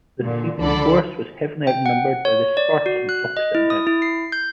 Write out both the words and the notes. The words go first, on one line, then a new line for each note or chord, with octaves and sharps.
The Theban force was heavily outnumbered by the Spartans opposite them.
A#2 D3
C#2 D3 F3 A4 D5 B5
G5
F#5
C#5
D5
F#4
F#6
D#5
E4
D#6
E4
C7
G6